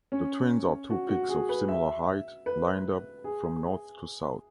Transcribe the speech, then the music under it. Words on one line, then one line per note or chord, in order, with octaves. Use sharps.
The Twins are two peaks of similar height lined up from north to south.
C#4
F#4
F#4
G#4
B4
E5
B4
G#4